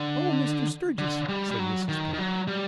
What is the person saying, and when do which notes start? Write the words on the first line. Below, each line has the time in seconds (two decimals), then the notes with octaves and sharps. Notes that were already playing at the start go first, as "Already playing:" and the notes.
"Oh, Mr. Sturgis," said Mrs. Pett.
Already playing: D3
0.98 D3
1.29 G3
1.51 G3
1.59 F#3
1.88 D#3
2.14 D#3
2.18 F#3
2.48 G3